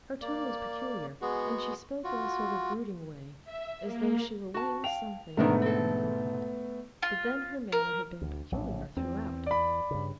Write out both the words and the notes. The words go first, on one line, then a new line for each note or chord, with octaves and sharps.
Her tone was peculiar, and she spoke in a sort of brooding way as though she were weighing something in her own mind; but then her manner had been peculiar throughout.
A#3 D5
G#3 B3 F#4 G#4
F4 F#4
E5
A#3
F#4 A5
F5 G5 F7
G#2 B2 D3 D#3 A3 B3 D4 A#4
C4 A4
F4
A#4
D2
A#1 A2 F#3
E2 C4
D5 B5
G2 C#3